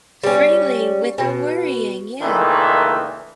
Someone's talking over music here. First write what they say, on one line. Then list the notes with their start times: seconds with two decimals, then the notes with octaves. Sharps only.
freely without worrying, yeah.
0.23 G3 C#4
1.18 B2
2.22 C#2 A#2 D#3 E3 A3